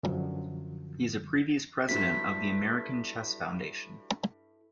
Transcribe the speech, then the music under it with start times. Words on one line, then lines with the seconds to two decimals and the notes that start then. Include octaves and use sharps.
He is a previous President of the American Chess Foundation.
0.03 F#2 D3 F3 F#3
1.89 G2 F#3 E4 A4 C5 B6